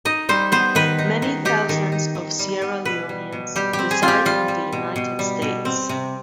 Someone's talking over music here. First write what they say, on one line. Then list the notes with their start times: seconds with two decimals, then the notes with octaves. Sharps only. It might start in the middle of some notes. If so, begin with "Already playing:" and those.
Many thousands of Sierra Leoneans reside in the United States.
0.05 D#4 D#5
0.29 G3 C5
0.52 B3 C5
0.75 D#3 B4
0.99 D#4
1.22 D#3
1.45 D#4 G4
1.69 D#3
1.92 D#4
2.15 D#3
2.39 G3
2.62 B3
2.85 B2 B4
3.09 G3
3.32 B2
3.56 G3 G4
3.73 G4
3.79 C4
3.91 G#4
4.02 C4 F4
4.08 G4
4.25 G3 F4
4.48 G3
4.72 B2
4.96 B2
5.19 G3
5.42 B2
5.65 C4
5.89 C3